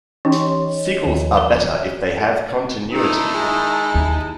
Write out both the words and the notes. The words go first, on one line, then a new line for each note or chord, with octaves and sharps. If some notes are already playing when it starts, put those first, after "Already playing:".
Sequels are better if they have continuity.
E3 C#4 D#4 G4 C#5 C6
C#5 D#5
D#2 F3
A#4
A#2 D#3 D#4 E4 A5 E6
G#3
D#2